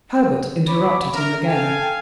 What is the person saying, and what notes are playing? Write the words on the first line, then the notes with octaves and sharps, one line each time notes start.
Herbert interrupted him again.
C#5 B5 D6
A#4 E5
A4 F5 G5 G#5